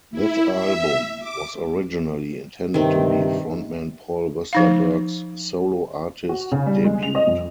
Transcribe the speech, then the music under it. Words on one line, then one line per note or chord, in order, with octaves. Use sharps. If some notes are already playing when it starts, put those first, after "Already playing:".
This album was originally intended to be front man Paul Westerberg's solo artist debut.
E4
E5
D6
G2 C3 D#3 C4
F3 D#4 F5
F#4
C#3
G3
G#3
F7
D#5
F2